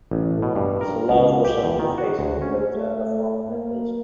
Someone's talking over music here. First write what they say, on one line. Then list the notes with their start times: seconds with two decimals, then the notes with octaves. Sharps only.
This allowed for some new faces, and the return of former members.
0.11 A1
0.42 B2
0.55 G2
0.81 A#4
1.10 C#2
1.45 G4
1.64 E2
1.79 D#3
1.98 F#4
2.19 D2
2.42 C#4
2.76 A3
3.50 A#3